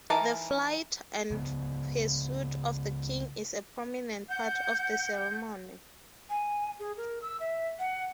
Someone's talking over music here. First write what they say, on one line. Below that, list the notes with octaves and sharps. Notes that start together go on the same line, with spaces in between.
The flight and pursuit of the king is a prominent part of the ceremony.
E3 D#4 A#4 A5
C#2 C#3 B3
F#5 G6
G#5
G#4
A#4
E6
E5
F#5